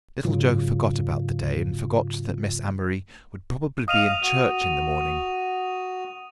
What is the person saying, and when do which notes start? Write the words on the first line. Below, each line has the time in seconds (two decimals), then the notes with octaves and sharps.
Little Joe forgot about the day, and forgot that Miss Amory would probably be in church in the morning.
0.24 G#2 C#3 F#3 F4
3.88 D#5 F5 D#6 D#7 F7
4.22 F#4